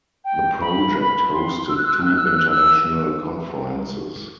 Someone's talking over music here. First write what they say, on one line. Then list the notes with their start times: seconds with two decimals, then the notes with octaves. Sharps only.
The project hosted two international conferences.
0.25 G5
0.61 B5
0.97 B5
1.33 C6
1.69 E6
1.77 F#6
1.85 E6
1.93 F#6
2.01 E6
2.10 F#6
2.18 E6
2.26 F#6
2.34 E6
2.42 F#6
2.50 E6